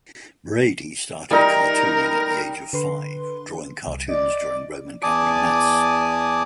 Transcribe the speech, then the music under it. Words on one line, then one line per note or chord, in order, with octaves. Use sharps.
Brady started cartooning at the age of five, drawing cartoons during Roman Catholic mass.
G3 D#4 A#4
D3 B4 C6
C2
D5 D#5
E2 D5 G#5 A5 D6 D#6